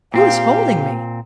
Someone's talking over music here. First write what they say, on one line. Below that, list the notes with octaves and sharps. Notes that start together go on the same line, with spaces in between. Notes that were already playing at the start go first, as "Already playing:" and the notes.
Who is holding me?'
A#2 C4 G4 F5